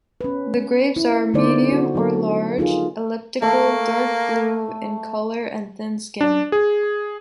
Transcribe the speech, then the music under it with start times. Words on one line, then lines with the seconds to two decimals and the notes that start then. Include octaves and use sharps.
The grapes are medium or large, elliptical, dark blue in color and thin skin.
0.21 C#4 B4
0.96 E4
1.34 D3 G3 B3 D#4 C5 D5
1.72 F#4
1.95 F#3 D4 A4
2.58 D#4 F4 G#4 A#4
3.42 A3 A#3
6.21 D4
6.52 G#4